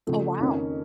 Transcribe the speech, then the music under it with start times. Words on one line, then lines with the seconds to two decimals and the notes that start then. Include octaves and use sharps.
Oh, wow.
0.07 C#3 F3 A3
0.39 F2 D#3 A#3 C#4